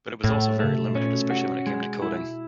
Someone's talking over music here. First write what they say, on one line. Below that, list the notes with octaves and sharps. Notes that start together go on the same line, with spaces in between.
But it was also very limited, especially when it came to coding.
A2 A3
C#3 A3
C3
B2
A#2 C#4
B2
C3 F#4
B2
G#3
E4